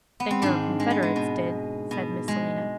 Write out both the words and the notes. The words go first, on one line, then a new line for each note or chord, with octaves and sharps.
'Then your confederates did,' said Miss Selina.
B3
C4
G#2 D#3 D4
G#3
B3
G#3
B2
B2
G#3